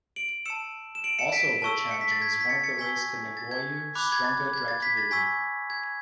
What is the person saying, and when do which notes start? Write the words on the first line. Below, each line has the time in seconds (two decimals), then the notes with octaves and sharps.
Also a bit challenging is one of the ways to Negoiu - Strunga Dracului.
0.16 D7 F#7
0.46 A5 E6 C#7 E7
0.95 E7
1.04 D7 F#7
1.19 C#7 E7
1.33 B6 D7
1.62 A5 C#6 E6
1.91 C#7
2.01 B6
2.11 A6
2.22 G#6 B6
2.41 B6
2.49 A6 C#7
2.64 A6 C#7
2.78 G#5 C#6 E6 G#6 B6
3.37 A6
3.51 G#6
3.95 B5 D6 F#6
4.12 G#6
4.24 A6
4.54 G#6
4.68 A6
4.82 G#6 B6
4.97 A6
5.11 G#5 C#6 E6 G#6 B6
5.70 G#6